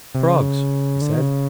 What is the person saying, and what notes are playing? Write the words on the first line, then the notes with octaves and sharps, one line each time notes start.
"Frogs," he said.
C3
C#3
D3
D#3
C#3